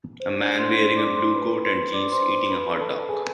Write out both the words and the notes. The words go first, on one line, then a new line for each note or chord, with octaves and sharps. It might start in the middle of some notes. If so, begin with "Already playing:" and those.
A man wearing a blue coat and jeans eating a hotdog.
C5
D4 D5
C5 C6
C5 C6
D5 D6
C5 C6
B4 B5
C5 C6
D5 D6
C5 C6
C5 C6
B4 B5
A4 A5
G#4 G#5